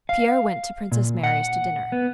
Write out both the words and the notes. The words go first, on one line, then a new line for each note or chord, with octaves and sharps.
Pierre went to Princess Mary's to dinner.
F5
A#2
F#5
B3